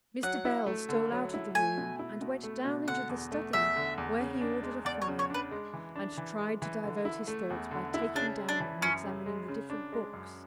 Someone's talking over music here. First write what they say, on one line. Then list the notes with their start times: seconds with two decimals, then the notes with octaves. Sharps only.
Mr. Bell stole out of the room, and went down into the study, where he ordered a fire, and tried to divert his thoughts by taking down and examining the different books.
0.23 F#3 F#5
0.45 E4
0.66 A3
0.89 D3
1.12 F#3
1.34 E4
1.55 A3 G#5
1.78 B2
1.99 E4
2.21 B2
2.43 A3
2.65 B2
2.88 D3 F#5
3.09 E2
3.32 A3
3.53 E2 E5
3.76 D3
3.98 E2
4.20 C#3
4.41 D4
4.63 G#3
4.85 E2 D5
5.02 C#5
5.08 C#3
5.19 C#5
5.30 D4 B4
5.51 G#3
5.73 E3
5.96 D4
6.18 E3
6.39 G#3
6.62 E3
6.84 D3
7.05 E4
7.27 A3
7.50 E2
7.71 D3
7.94 E4
8.15 C#3 D4
8.37 G#3
8.49 D4
8.60 E3
8.81 F#2 C#4
9.04 C#3
9.26 G#3
9.48 C#3
9.70 D4
9.92 G#3
10.13 F#2